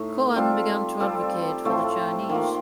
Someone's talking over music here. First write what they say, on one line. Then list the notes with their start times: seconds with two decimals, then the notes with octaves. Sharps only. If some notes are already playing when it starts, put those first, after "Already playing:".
Cohen began to advocate for the Chinese.
Already playing: A2 A3 D#4
0.36 G3 C4 F4 A4
1.00 G3 C4 F4 A4
1.65 A2 F3 A3 C4
2.29 D#3 A#3 F4